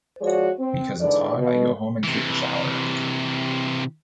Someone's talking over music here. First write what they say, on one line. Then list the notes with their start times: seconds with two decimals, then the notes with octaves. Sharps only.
Because it's hot, I go home and take a shower.
0.20 F3 G#3 F#4 G#4 C#5 D5
0.59 C4
1.00 G#2 D3 E3 D5
1.37 B2
2.04 C3 E3